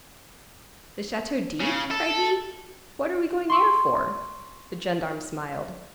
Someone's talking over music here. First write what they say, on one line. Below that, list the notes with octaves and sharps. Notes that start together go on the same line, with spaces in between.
"The Chateau d'If?" cried he, "what are we going there for?" The gendarme smiled.
C#3
A4
C6 C#6 E6